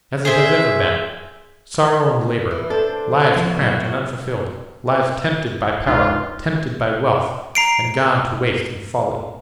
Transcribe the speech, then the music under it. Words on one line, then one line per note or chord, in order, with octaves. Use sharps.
As it has ever been--sorrow and labour, lives cramped and unfulfilled, lives tempted by power, tempted by wealth, and gone to waste and folly.
G#4 C5 E5
E3
D4 A4 C5
F3 B3 E4 F#4
A#2 F#3
C#2 D#4 F4
A#5 C7 D7